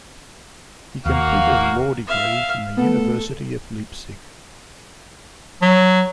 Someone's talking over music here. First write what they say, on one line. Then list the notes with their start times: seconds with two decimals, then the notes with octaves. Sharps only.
He completed a law degree from the University of Leipzig.
1.06 D#2 A#3 F#4 F5
2.07 E5 F5
2.77 A3 B3 A4
5.62 F#3